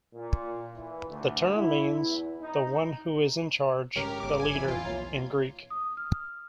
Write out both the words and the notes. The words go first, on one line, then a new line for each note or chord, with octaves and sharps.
The term means "the one who is in charge", "the leader" in Greek.
A#2
E3
D2
E4
E2
D#4
G#2 C#3 G3 G4 A#4 C#5
G1 D6
F#1 E2 G3 G#5
F2 E3 E4
E2 F4
B1 G3 A#3 C#5 F5 A#5
D#6
F6